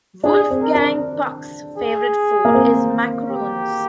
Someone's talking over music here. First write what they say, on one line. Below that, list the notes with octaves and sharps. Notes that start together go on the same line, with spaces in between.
Wolfgang Puck's favorite food is macaroons.
D4 G#4
C4
A#4
D4
G#4
A#3
C4
G4